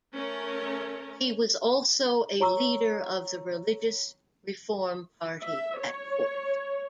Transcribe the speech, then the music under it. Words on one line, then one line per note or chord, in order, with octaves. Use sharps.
He was also a leader of the religious reform party at court.
A3 C#4 A#4 C#5
E4 C#5 A#5 C#6 E6
E5
C#5